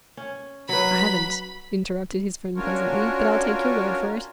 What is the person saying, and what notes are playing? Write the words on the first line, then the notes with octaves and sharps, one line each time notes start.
I haven't," interrupted his friend pleasantly, "but I'll take your word for it.
C#4
F#3 B4 B5
C#4 D4 F4 F#4 A#4 C#5